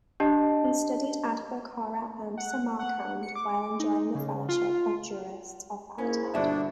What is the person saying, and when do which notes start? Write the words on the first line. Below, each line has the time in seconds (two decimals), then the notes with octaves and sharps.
He studied at Bukhara and Samarkand while enjoying the fellowship of jurists of Baghdad.
0.20 D4 G4 D#5 A5
2.38 F#5
2.79 F#5
3.23 C#7
3.35 D6
3.80 D#4
4.15 C#3
4.49 F4
5.98 G#2 A#3 C#4 E4
6.34 G1 B2 D4 E5